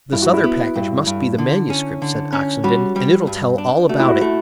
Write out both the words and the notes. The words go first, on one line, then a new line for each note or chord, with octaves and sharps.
"This other package must be the manuscript," said Oxenden, "and it'll tell all about it."
G2 E4
F#4
E4
B3
G2
G2
D3
C#4
D3
C#4
G3 F#4
G3
G2
D4
A3 F#4
E4
F#4
A3 E4